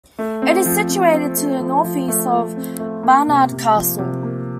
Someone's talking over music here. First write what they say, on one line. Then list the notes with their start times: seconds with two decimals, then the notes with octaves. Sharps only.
It is situated to the north east of Barnard Castle.
0.19 A3
0.42 C4
0.66 F3
0.89 C4
1.13 C4
1.37 A3
1.60 F3
1.84 F3
2.08 A3
2.32 F4
2.57 C4
2.80 A3
3.03 A#3
3.28 C3
3.52 C3
3.75 F3
3.99 C3
4.23 A#3